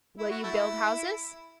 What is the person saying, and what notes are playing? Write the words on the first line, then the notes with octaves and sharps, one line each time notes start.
"Will you build houses?"
E4
F#4
A3 E4